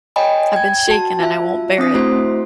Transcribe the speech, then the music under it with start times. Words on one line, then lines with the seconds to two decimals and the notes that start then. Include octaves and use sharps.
I've been shaken, and I won't bear it!
0.16 C#5 D#5 G5 G#5 B5
0.53 G5 G#6
0.88 F#4 A5
1.20 F4 E5
1.78 C4 D4 D#6 B6
1.94 A3 E4 F#4 C5